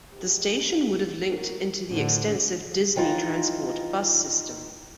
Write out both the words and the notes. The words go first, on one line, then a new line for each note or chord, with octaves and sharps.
The station would have linked into the extensive Disney Transport bus system.
D2 G#2 G4
F#4 A#4
A2 D3 G4 C5
D#3 E3 D#4 F4